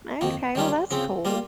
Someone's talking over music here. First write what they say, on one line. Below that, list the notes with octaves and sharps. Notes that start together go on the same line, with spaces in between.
Okay, well, that's cool.
F2 D#3 A#3
D#3 G3 C#4 F4
C#3 F3 C4
G3 A#3 F4